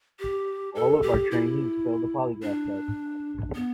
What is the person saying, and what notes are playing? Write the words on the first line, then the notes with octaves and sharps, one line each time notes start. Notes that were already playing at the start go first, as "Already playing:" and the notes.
All of our trainees failed the polygraph test.
G4
A4
G4
E4
D4
B3